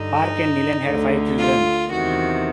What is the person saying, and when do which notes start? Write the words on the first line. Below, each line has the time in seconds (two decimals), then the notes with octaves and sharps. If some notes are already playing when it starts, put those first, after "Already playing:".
Park and Niland had five children.
Already playing: G2 D3 D#4
0.86 D2 D3
1.39 F4
1.90 E2 C3 D#3 F#4